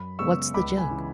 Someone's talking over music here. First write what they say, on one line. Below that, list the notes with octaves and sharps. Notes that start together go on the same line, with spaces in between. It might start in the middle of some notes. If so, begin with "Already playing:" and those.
What's the joke?
Already playing: F#2 B5
C#3 G#3 B3 C#6 E6
C#2 B5 D6
G#5 B5
C#3 E3